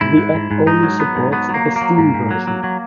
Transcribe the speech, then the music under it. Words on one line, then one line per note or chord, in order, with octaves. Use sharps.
This app only supports the Steam version.
G#2 E4
G#2
G#2
G#2
G#2 D#4
F#3
F#3 B3
G#2
F#3 B3
F#3 A#3
F#3
A#3
F#3
G#2
G#2
F#3
F#3
F#3